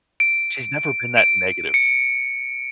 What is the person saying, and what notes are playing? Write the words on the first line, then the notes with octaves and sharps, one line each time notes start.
She's never been that negative
D7
D7
C#7